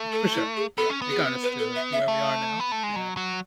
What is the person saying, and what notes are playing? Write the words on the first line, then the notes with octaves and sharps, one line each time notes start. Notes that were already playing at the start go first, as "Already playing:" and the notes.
For sure, yeah, it got us to to where we are now, um
Already playing: A3
A4
E4
G#4
B3 A4
C#4
B3
G#4
B4
A4
E5
E5
A3
B3
A3
G#3
F#3
F#3